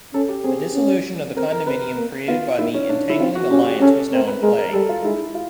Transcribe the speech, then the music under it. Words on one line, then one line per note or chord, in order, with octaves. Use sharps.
A dissolution of the condominium created by the "entangling alliance" was now in play.
C#4 A4
G4
C4 G#4
C#4
C4 A#4
A#4
C4 B4
A#3
B3 F4
A#3 E4
C#4
D4
E4
C4 F4
F#4
C#4 G4
G#4
C#4 A4
C4 A#4
B4
G#3 A#4
A#4
G3 A4
F4
G#3 E4
F4